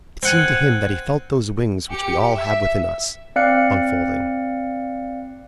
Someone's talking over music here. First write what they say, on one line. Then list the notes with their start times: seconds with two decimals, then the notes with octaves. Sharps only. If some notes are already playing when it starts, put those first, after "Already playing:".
It seemed to him that he felt those wings which we all have within us, unfolding.
0.23 C4 F#5 G#5
1.91 G4 C#7
2.37 E5
3.36 C4 D5 F5 F#6 C#7